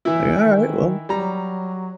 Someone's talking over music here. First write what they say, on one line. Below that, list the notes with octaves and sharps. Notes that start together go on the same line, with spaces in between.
like, "Alright, well"
E3 E4
D#3
F#3 G3 A#5